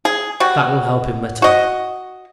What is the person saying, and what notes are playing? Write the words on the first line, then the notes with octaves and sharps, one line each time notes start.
That will help him little.
G#4
G3 F#4
F#4 D#5